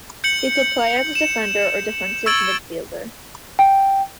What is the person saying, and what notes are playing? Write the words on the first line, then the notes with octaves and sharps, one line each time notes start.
He could play as a defender or defensive midfielder.
G6 C#7 F#7
E7
C#6 E6 G#6 A6 D7 F#7
G5